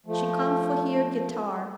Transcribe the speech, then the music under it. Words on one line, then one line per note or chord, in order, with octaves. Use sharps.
She come for hear guitar.
F3 A3